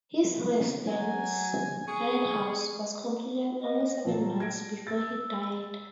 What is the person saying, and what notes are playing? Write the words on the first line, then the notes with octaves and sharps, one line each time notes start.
His residence, Arden House, was completed only seven months before he died.
F#3 G#5
G#4 C#6
D#5
A#2 F#3 A5
G#6 A#6 D7
E6 A6